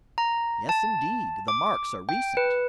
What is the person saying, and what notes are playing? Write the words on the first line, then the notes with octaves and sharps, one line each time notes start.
"Yes, indeed, the marks are recent."
A#5
A5
D6
G5
B4